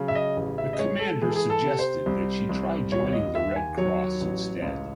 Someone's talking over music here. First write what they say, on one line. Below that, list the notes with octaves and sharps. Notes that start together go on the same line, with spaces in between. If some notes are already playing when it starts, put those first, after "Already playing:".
The commander suggested that she try joining the Red Cross instead.
Already playing: C#3 F#3
E5
D#5
A1
E5
D#5
G#3 C#5
A4
E3 G#4
A4
G#4
A4
C3
C5
C2
C2
D#2 C#5
C#5
D#5
D#2 E5
G#5
F#3 C#5
A1
C#2